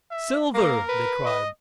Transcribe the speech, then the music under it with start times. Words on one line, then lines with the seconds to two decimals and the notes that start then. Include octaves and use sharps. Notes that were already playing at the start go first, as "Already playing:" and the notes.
"Silver!" they cried.
0.11 E5
0.54 A#3 A#4
0.89 B4
1.25 D#5